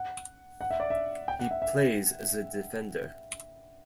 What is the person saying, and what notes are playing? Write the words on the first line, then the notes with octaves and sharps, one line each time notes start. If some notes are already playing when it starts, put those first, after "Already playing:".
He plays as a defender.
Already playing: F#5
F#5
E5
D5
E5
G5
F#5
E5
E5